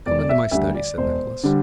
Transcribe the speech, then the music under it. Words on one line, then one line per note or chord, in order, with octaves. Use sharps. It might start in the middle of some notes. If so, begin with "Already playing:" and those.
"Come into my study," said Nicholas.
E1 D5
D5
E5
D2 D3 G3 E5
D5
E1 C5
D3 G3